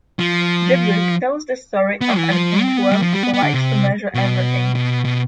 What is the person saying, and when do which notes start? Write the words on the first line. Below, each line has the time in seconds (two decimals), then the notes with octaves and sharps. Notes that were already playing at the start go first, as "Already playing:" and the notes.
The book tells the story of an inchworm who likes to measure everything.
0.19 F3
2.01 B3
2.17 E3
2.31 F3
2.62 C4
2.77 B3
2.92 G3
3.02 F3
3.13 G3
3.23 B3
3.34 B3
3.43 D3
3.53 C3
4.14 B2
4.75 B2
5.05 B2